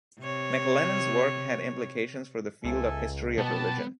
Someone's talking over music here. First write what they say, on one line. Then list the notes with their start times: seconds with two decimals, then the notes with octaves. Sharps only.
McLennan's work had implications for the field of history of religion.
0.20 C3 C#5
2.64 C#2 A4 E5 G#5
3.38 B2 B3 G4 A5